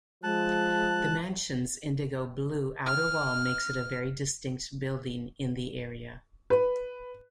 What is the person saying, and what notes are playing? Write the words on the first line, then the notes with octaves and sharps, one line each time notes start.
The mansion's indigo-blue outer wall makes it a very distinct building in the area.
F3 G#3 A5 F#6
F6
B4